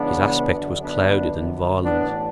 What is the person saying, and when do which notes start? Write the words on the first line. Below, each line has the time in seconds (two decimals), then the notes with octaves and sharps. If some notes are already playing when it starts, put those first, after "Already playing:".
His aspect was clouded and violent.
Already playing: C#2 C#3 E3 B3 D4
0.46 F#2 D3
0.80 B3 D4
1.83 A1 A2 E3 B3 D4